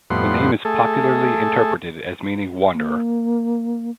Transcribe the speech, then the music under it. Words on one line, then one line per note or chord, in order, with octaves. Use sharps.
The name is popularly interpreted as meaning wanderer.
F2 A2 G3 B3 F#5 C6
A3 G#4 A4
A#3